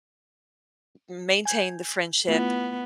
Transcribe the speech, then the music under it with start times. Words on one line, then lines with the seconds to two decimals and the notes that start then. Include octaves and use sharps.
maintain the friendship,
1.45 G#5 G6 G#6
2.28 A3 B3 E4 F4